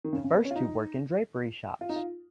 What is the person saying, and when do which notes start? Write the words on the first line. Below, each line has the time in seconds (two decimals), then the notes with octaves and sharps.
The first two work in drapery shops.
0.04 D#3
0.13 C#3
0.24 C#3
0.34 B3
0.45 C#4
0.51 F4
0.56 D#4
1.81 F4
1.89 D#4
1.96 F4